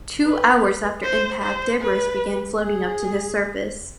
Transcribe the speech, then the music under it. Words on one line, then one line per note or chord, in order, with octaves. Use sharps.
Two hours after impact, debris began floating up to the surface.
B4
C5
C5
B4
G#4